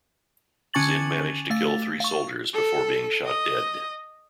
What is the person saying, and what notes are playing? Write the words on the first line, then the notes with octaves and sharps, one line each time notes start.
Zin managed to kill three soldiers before being shot dead.
D3 C#4 G#5 C#6 A6 F#7
A3 F5 A6
F5 C#6
A4
D#5